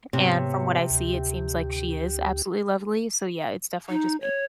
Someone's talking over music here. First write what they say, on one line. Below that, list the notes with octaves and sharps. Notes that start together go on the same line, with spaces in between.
and from what I see, it seems like she is absolutely lovely, so, yeah, it's definitely just me.
G#2 C3 B3 C#5
D2 G4
D#4
C#5